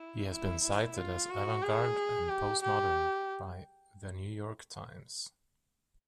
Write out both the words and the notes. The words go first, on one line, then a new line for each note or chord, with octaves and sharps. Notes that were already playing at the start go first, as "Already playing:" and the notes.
He has been cited as avant garde and postmodern by "The New York Times".
Already playing: E4
E4
E4
F4
F#4
G#4
G4
G4